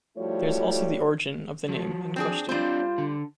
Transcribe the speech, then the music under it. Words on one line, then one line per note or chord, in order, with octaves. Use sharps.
This is also the origin of the name in question.
F3 G3 A3 E4 F#4 C#5
F3 F#3
C4 D4 G#4
G3 C4 D4 F4 C5
D3